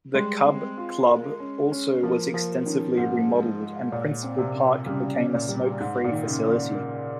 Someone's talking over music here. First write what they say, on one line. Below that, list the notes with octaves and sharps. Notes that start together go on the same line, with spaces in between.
The Cub Club also was extensively remodeled and Principal Park became a smoke-free facility.
G3 G#3
C4
F4
A#4
C#4
C#4
F3 A#3
F3 A#3
D#3 C#4
G#2 G#3
G#3
G#3
A#2 C#5
C4
C3
C4
C#3 G3
C#4
A#2
G3
G#2 G#3
A#2
D#3
C#3
D#3
A#2
A#4